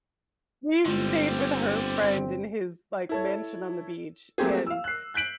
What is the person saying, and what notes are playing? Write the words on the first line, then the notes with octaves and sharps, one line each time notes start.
we stayed with her friend in his, like, mansion on the beach, and
G1 D3 G3 G#3 C4 E4 F4
E4 A4 C#5
F#3 A3 A#3 C4 G4 G#4
F5 E6
F#6 C7
F#6 G6 B6 D7 F#7